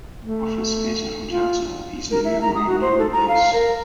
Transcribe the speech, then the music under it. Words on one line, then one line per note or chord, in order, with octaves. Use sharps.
Office space and hotels are easily available around Nehru Place.
A3
F4
A#4
E5
A#5
D#6
F#4
C5
A4
A#5
F5
A#4